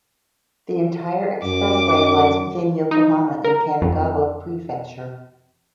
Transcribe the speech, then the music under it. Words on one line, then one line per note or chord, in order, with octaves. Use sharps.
The entire expressway lies within Yokohama in Kanagawa Prefecture.
F#2 D6
D#4
A#4
F2